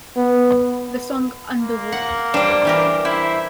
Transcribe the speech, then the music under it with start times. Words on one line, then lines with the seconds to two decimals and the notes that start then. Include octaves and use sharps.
The song Underwater!
0.16 B3
1.60 A#3
1.92 F#5
2.34 G3 D4 C5
2.65 E3 G4 A#4
3.05 E4 C5 E5